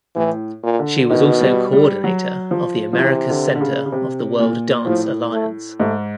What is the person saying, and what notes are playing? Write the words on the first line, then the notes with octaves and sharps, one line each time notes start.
She was also coordinator of the Americas Center of the World Dance Alliance.
A2 E3
A#2
D3
B2 D#3
G3
G3
F#3
F3
F3
C3 E3
D3
D3
C#3
C#3
C3
A#2
A2 F3
A3
G#2 A3